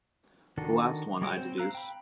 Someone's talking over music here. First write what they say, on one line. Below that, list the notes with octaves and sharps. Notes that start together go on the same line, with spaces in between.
The last one, I deduce.
D#3 D4 F#4 A4
G3 G#3 F#4 C#5 G5
C4 C5 G6
F5 A#5 E6 F#6
G5 B5